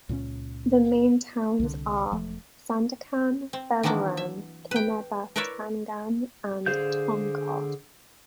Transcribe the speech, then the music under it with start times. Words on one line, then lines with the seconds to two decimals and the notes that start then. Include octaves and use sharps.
The main towns are Sandakan, Beluran, Kinabatangan, and Tongod.
0.09 C#2 A#2 C4 C#4
1.60 C2 D3
2.12 E1 F3 A3
3.53 C4
3.83 D#3 E3 F#3 A#3 D4 E4
4.17 E5
4.71 B4 G5
5.36 E4 A#4 B4 C#5 D5 E5
6.66 D3 G#4 C5 F5 G6